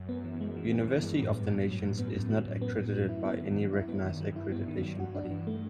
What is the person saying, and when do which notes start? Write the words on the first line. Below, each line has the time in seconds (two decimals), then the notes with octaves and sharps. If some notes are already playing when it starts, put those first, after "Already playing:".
University of the Nations is not accredited by any recognized accreditation body.
Already playing: F#2
0.09 B3
0.25 E3
0.41 G#3
0.57 E3
0.72 G2 B3
0.88 E3
1.04 G#3
1.20 A2
1.35 B3
1.51 A2
1.67 F#2 F#3
1.83 A2
1.99 B3
2.14 A2
2.30 F#3
2.46 A2
2.62 B3
2.78 A2
2.94 F#3
3.09 F#2 E4
3.25 B3
3.41 D#3
3.57 F#3
3.73 E4
3.88 B3
4.04 G2 D#3
4.21 F#3
4.36 E4
4.52 B3
4.68 D#3
4.83 F#3
5.00 F#4
5.15 D4
5.31 E3
5.47 A3